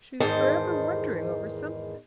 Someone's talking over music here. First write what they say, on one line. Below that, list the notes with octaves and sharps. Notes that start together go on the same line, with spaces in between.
She was forever wondering over something.
E2 G#2 D#3 C5 A5